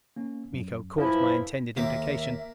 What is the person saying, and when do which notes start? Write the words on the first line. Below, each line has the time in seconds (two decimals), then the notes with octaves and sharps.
Miko caught my intended implication.
0.16 A#3 C#4
0.53 F#2
0.98 E3 F3 E4
1.77 D#2 A#3 E5 D6